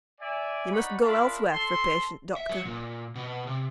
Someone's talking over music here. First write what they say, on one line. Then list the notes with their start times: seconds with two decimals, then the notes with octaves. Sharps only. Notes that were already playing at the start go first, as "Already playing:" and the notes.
You must go elsewhere for a patient, Doctor.'
0.21 D5 E5 G#5
0.72 D#4 C#5 D5 F#5 B5 C#6
1.03 D4 F4 A#4 E5 A5 B5
1.52 A4 C6
2.36 E5
2.49 F#3
2.65 A#2
3.15 B2
3.47 C3